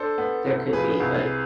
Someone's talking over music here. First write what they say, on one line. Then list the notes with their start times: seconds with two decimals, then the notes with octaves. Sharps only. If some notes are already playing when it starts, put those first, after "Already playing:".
there could be, but
Already playing: D4 A4 C5
0.18 B3
0.46 C2
0.73 F3 G#4 B4
1.00 C2